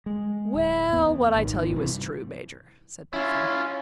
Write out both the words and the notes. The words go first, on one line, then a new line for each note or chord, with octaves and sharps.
"Well, what I tell you is true, Major," said Puffin.
G#3
D1
E2 B3
G#1 B2 D#3
G2 C3 E3
C#4 E4 F4